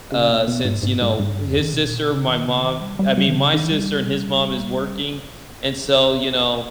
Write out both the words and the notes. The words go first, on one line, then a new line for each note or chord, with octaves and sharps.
uh, since, you know, his sister, my mom, I mean, my sister and his mom is working. And so, you know,
C#3
B2
B2
G#2
G#2
G#2
G#2
G2
E2
D#3
B2
A#2
B2
C#3
D#3
C#3
D#3
G3
G3
G3
D#3
C#3
D#3
E3
G3